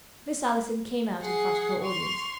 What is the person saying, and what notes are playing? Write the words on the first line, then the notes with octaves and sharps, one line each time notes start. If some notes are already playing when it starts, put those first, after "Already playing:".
Miss Allison came out in front of her audience.
G#4 F#5 C7
C6 C#6 F7